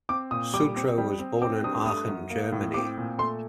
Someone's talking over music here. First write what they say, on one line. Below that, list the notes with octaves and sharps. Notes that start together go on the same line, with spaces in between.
Sutro was born in Aachen, Germany.
C4 D6
A#2 D#6
G3 D6
C4
G3
C4
C4 D6
G2 D#6
A3 D#6
F#2
A#3
A2
C4 D6
A#2
A3 C6